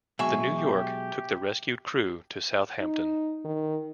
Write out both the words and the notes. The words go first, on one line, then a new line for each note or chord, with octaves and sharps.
The "New York" took the rescued crew to Southampton.
B2 F#3 G#3 E5 G#5 C#6
G4
D#4
D#3